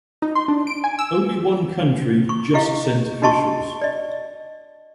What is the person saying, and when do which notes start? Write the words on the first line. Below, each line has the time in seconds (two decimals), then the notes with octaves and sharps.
Only one country just sent officials.
0.22 D#4
0.35 C6
0.48 D4
0.67 D7
0.84 G#5
0.99 E6
2.29 C#6
2.54 E4 G4 D#5 F5 C#6
3.22 D4 F#4 D#5 A5 C#6
3.81 D5 D#5